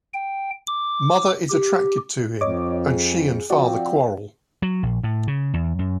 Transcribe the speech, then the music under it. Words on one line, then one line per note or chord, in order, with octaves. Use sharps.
Mother is attracted to him, and she and Father quarrel.
G5
D6
G4
F2 C#5 D#5 D6
G#4
F3 C4 F#4 D5
F#3
A#1
A2
C#3
E2
F#2